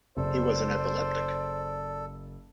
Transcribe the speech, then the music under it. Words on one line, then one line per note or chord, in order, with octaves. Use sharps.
He was an epileptic.
F#1 A4 C5 D5